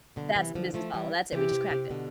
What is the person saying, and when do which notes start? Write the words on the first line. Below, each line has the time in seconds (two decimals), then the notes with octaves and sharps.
That's the business model. That's it, we just cracked it.
0.16 B2 D3
0.36 C3 E3
0.55 D3 F3
0.74 F3 A3
0.94 E3 G3
1.32 C3 E3 G4
1.52 C3
1.71 C3
1.90 B2 D3